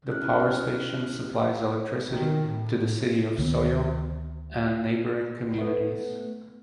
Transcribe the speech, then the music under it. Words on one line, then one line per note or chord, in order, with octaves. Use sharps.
The power station supplies electricity to the city of Soyo and neighboring communities.
C#4 E4 G4 F6 F#6
D#3
A2
D2 D#3 G#3 B3
A3 B3